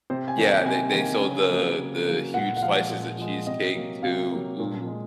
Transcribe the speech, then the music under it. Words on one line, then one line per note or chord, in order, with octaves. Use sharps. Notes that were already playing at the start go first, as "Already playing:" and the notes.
Yeah, they they sold the the huge slices of cheesecake, too ooh,
C3 C5
G#5
D#3 A#3
G#5
C3 G#5
D#3 A#3 G#5
C#3
F#3 A#3
C#3
F#3 A#3
A#2 F#5
F#5
F3 G#3 F5
A#2
F3 G#3
C3 D#5
F#3 A#3
C3 F5
F#3 A#3
A#2
G#3